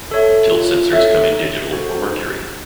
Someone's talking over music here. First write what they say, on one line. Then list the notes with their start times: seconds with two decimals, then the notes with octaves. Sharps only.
Tilt sensors come in digital or mercury.
0.11 A4 C#5 E5
0.52 F4
0.92 A4 C#5 E5
1.32 D#4
1.72 F#4 A4 C5
2.12 D#4